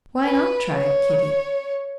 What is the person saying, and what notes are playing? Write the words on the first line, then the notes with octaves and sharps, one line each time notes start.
Why not try it, Kitty?
B4
C#5